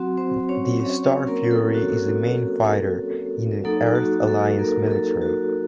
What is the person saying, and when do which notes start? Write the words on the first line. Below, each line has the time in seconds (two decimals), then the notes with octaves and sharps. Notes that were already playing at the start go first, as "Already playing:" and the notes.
The Starfury is the main fighter in the Earth-Alliance military.
Already playing: F#3 C4 F#4
0.17 C4 C5
0.49 C#4 C#5
0.80 C#4 C#5
1.04 C#4 C#5
1.27 A#3 A#4
1.51 A4
1.75 F#4
2.70 A4
3.64 F#3 A#3 D#4 A4
3.95 F#4
4.27 A4
4.59 A#3 A#4
4.91 A4
5.22 F#4